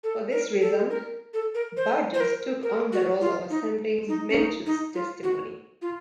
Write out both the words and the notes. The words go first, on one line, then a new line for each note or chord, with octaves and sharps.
For this reason, Burgos took on the role of assembling Menchu's testimony.
A4
A#4
A4
A#4
A4
A#4
C5
C5
A#4
A#4
F#4
F4
D#4
D#4
C#4
D#4
D#4
F4
F#4
F4